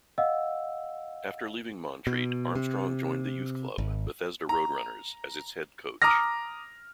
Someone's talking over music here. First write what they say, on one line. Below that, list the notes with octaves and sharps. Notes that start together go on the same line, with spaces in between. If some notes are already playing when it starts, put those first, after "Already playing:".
After leaving Montreat, Armstrong joined the youth club, Bethesda Roadrunners, as its head coach.
D#5 F5 F#5 E6
B2
C3
G#1
A#5
A#5 D6 D#6 F6 A#6